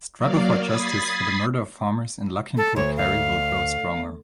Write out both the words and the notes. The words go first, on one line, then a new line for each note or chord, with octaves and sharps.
Struggle for justice for the murder of farmers in Lakhimpur Kheri will grow stronger.
F#3 A#3 D5 F5
B5 D#6 G#6 A6 B6 C7
A4
D2 C#5
F5